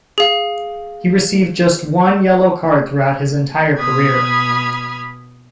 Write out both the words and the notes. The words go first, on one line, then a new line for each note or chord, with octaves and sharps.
He received just one yellow card throughout his entire career.
G#4 F5
B2 B5 D#6 F6 G#6